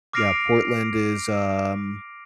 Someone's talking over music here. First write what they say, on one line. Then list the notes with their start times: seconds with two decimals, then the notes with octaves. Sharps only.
yeah, Portland is ,um
0.13 D6 F6 A#6 C7 D7 F7